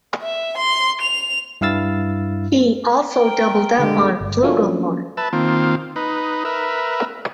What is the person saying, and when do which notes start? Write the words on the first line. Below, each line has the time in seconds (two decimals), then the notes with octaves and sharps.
He also doubled up on flugelhorn.
0.22 E5
0.57 C6
1.01 F7
1.61 G2 E4 F5 E6 A6
3.11 A#4 G5
3.79 D3 G#3 G4
4.21 G1
4.43 F3 F#3 A3 A#3 C#4 D4
5.17 B4 E5 A5
5.33 D#3 A#3 C4 F4
5.96 D#4 B4
6.45 A#4 B4 E5